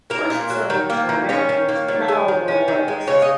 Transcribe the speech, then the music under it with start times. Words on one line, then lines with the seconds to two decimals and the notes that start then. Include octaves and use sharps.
First settlers were Americans, but not all were Loyalists.
0.10 A#3 A#4
0.30 A#2
0.50 F#3
0.70 D#3
0.90 A#3
1.09 D#3
1.29 C#4 C#5
1.49 D#3
1.69 A#3
1.88 D#3
2.08 G#3
2.28 D#3
2.48 C#4
2.68 D#3
2.88 G#3
3.07 C#3 C#5
3.22 D#5